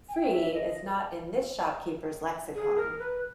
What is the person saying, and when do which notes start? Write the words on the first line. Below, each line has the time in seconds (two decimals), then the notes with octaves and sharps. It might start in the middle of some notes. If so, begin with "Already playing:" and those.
Free, is not in this shop keepers lexicon.
0.08 G#5
0.13 G5
0.31 E5
0.53 D#5
2.54 G#4
2.77 A#4
2.99 B4